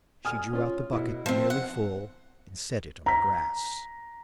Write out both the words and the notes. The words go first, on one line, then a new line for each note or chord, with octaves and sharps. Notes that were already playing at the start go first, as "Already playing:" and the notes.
She drew out the bucket nearly full, and set it on the grass.
G#5 D#6 F6
C#4 F4
B2 E4
F3 C4
F#5
A#5 B6